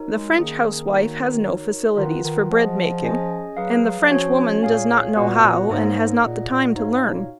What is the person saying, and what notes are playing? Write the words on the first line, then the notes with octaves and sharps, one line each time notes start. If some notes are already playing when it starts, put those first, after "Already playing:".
The French housewife has no facilities for bread-making and the French woman does not know how and has not the time to learn.
Already playing: D#4 F#4 A#4 C#5
G#3
D#3 A#3 C#4 G#4 D#5 G#5
A#3 D#4 F#4 C#5
D#4 F#4 A#4 C#5
D#3 F4 B4 F#5
D#3
F3 G#4 D#5 F#5
C#4 G#4 D#5 G#5
F#3 G#4 B4 F5
F#3
F#3
F3 C#4 F#4 C#5
A#2 G#4 C#5 F5 G#5
A#2 B3 F#4 B4 F#5
A#2
G#2 A#3 D#4 A#4 C#5
A#2 G#4 D#5 F#5
A#2
G#2 D#4 F#4 C#5 F5 G#5
A#2